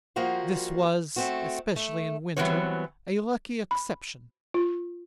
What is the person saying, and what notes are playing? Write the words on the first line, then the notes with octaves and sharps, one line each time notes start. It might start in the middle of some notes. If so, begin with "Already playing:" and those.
This was, especially in winter, a lucky exception.
F3 G3 A#3 F#4 C5
A3 C4 F#4
A3
E3 F#3 G3 B3 C4 C#5
B5
F4